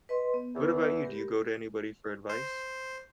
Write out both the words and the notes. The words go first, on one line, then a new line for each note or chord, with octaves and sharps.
what about you? Do you go to anybody for advice?
B4 D#5 C6
B3
E2
G4 A#4 B5
C5